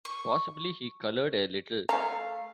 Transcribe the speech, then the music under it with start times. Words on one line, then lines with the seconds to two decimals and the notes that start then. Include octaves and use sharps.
Possibly he coloured a little.
0.05 C#6
1.89 A3 F5 A#5